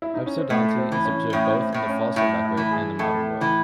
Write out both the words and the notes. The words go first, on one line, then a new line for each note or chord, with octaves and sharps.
Hypsodonty is observed both in the fossil record and the modern world.
E4
D#4
C#4
C4
A2 A3
C4
E3
C#4
A2 C#4
C4
A2
C#4
A2 E4
E4
E3
G#4
A2 A4
E3